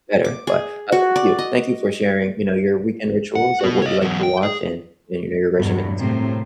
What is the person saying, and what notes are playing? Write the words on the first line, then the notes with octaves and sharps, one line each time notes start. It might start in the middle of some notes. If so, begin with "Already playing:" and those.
better. But, uh, thank you. Thank you for sharing, you know, your weekend rituals of what you like to watch and and, you know, your regimens.
D6
G#4
F#4
D5
D#5
F#5
B3 F#4
C#5 D#5
E2 F#3
G5
G#4
E2 G2 B2 F#3
A2 C3 A#3 C4